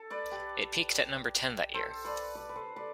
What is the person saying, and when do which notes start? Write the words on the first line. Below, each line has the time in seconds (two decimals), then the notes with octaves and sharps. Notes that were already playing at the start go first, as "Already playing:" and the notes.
It peaked at number ten that year.
Already playing: A4
0.10 B4 D5
0.31 G4 B4
1.74 A4 C5
2.04 B4 D5
2.35 B4 D5
2.49 B4
2.56 A4 C5
2.76 B4 D5